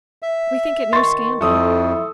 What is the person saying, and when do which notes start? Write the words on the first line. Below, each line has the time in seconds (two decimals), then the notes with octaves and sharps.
We think it no scandal.
0.22 E5
0.93 D#3 C6 C#6 A6
1.41 F2 E4 A4 D#6